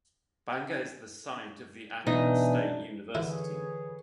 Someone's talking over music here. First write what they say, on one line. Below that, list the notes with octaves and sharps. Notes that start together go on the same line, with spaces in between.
Banga is the site of the Aklan State University.
F#2 B2 E3 D4 D#4 D#5
D3 E3 E4 G#4 B4 C#5